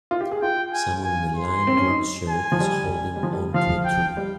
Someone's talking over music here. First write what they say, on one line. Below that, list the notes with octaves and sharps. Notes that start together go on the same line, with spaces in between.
Someone in a lime green shirt is holding on to a tree.
F4
G4
G#4
F4 G5
G#5
G#5
C6
C4
C#4
D#4
G#5
F3
G3
G3
F3
G3
F3 F5
G5
G3